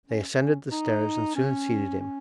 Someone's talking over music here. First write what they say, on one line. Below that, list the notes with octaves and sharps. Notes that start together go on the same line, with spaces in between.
They ascended the stairs, and soon seated him.
C#4
C#4
D#4
C#4
C#4